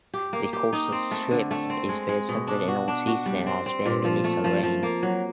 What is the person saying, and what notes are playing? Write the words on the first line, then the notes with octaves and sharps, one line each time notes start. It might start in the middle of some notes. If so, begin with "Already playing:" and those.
The coastal strip is very temperate in all seasons and has very little rain.
G4
A#3
G4
D#4
C4
A3
D3
A3
C4
G#3
G#3
B2
D4
F#4
D4
F#4
G3
C4
C4
A#2
F3
A3
F3
F3
A#3
F#3